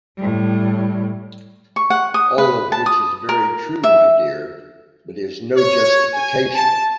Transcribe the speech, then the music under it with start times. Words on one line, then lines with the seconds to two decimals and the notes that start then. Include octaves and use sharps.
All of which is very true, my dear, but is no justification.
0.17 A2 G3
1.76 C#6
1.90 F#5
2.14 D#6
2.38 B4
2.72 A5
2.86 D#6
3.29 A#4
3.84 E5
5.56 C#5
6.14 G#5
6.56 A5